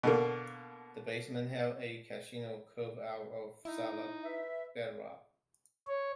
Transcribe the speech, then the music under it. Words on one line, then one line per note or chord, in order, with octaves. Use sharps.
The basement held a casino, carved out of solid bedrock.
B2 D3 A#3
D#4 E4
B4 E5
C#5